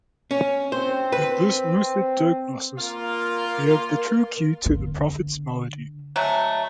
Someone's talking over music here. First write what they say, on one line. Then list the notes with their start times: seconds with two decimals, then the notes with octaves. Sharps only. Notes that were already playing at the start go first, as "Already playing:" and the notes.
In this lucid diagnosis we have the true key to the prophet's malady.
0.31 C#4
0.72 C4 C5
1.12 B4
2.78 A#3 F4
3.46 A#4
4.66 D3
6.16 F#3 G#3 A3